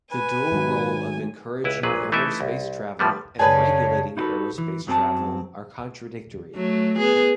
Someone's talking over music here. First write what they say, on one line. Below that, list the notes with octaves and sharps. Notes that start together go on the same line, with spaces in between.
The dual role of encouraging aerospace travel and regulating aerospace travel are contradictory.
B4 G#5
G#2 D#3 F#3
C#2 E4 B4
A#1 A#2 F#3 G#4 B4
E3 A3 D#4 E4 D#5 E5
C2
A2 F3 G3 B3
F#2 C#3 G#4 B4 C#5 D5 G#5 A5
D#4 E4 F#4 G4 A4 B4
E3
F#2 F#3 C4 A4 G5 A5
F#3 A3
B3 G#4